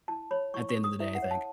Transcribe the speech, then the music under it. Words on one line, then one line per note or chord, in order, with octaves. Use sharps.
at the end of the day, I think.
E4 A5
C#5 B5
E4 C#6
C#6
A4
D#6
E4 E5
F#5
C#5
A5